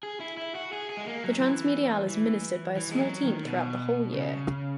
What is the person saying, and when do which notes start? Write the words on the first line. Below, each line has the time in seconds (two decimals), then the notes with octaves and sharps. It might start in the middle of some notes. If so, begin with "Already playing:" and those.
The transmediale is ministered by a small team throughout the whole year.
0.03 G#4
0.20 E4
0.37 E4
0.55 F#4
0.73 G#4
0.90 G#4
0.97 G#3
1.06 A#3
1.24 F#3
1.40 E3
2.09 E3
2.77 E3
2.91 G#3
3.00 F#3
3.24 D#3
3.46 B2
4.14 C#3